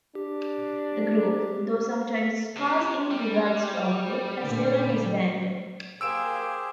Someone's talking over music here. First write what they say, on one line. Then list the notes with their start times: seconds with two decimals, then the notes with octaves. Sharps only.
The group, though sometimes sparse in regards to output, has never disbanded.
0.15 D4 G4
2.57 C3
3.11 G3
4.42 A#2 D3
6.01 A#3 G4 G#4 C5 G#5 E6 D7 E7